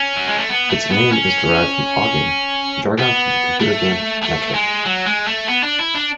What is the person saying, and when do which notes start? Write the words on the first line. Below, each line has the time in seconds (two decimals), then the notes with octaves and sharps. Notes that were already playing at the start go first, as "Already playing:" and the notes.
Its name is derived from "ogging", jargon from the computer game "Netrek".
Already playing: C#4
0.17 F#3
0.28 G#3
0.39 A3
0.49 B3
0.70 A3
0.90 B3
1.12 C#4
2.99 B3
3.60 A3
4.23 A3
4.54 G#3
4.86 F#3
5.06 G#3
5.27 A3
5.48 B3
5.63 D4
5.79 E4
5.95 D4